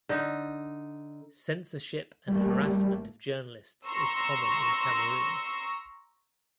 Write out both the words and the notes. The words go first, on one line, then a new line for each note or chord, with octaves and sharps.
Censorship and harassment of journalists is common in Cameroon.
D3 D#4
A1 G3 A3 A#3
A#5 C6 C#6 E6